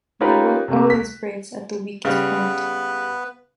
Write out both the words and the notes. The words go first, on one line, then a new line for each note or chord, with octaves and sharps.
The rope always breaks at the weakest point.
C#4 D#4 F4 G4 A#4 B4
C3 A3 A#3
B6
C#3 G3 B3 B4